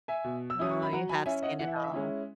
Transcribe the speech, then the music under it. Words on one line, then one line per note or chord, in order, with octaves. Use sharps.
Oh, you have seen it all.
E5 G#5
B2
E6
F#3 C#4 E4 D#6
C#6
B5
F#3 F#5 A#5
G#5 B5
C#4 E4 E5 G#5
D#5 F#5
E3 F#5
E5
D#5
E5
G#3 C#4 E4